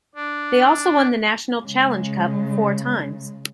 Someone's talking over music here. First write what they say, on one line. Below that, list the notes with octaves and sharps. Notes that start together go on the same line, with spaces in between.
They also won the National Challenge Cup four times.
D4
C#3 G#3